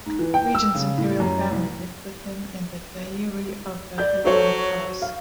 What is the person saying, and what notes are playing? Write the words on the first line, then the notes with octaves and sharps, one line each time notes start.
Regien's Imperial family lived with him in the Dairi of the Heian Palace.
G#2
E3
G5
E6
C#3
A2
F#2
C2
D5 G6
F#3 A4 C5 C#5
F5